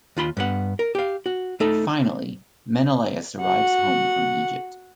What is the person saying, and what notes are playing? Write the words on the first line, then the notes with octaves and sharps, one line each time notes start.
Finally Menelaus arrives home from Egypt.
D#2 F4 B5 C6
G2 B3 F#5
A#4
G4 F5
F#4
A3 D#4 A4
F#4 F#5